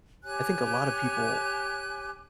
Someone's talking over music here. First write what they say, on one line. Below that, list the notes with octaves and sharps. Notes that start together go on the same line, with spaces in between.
I think a lotta people,
G4 C#5 G#5 F#6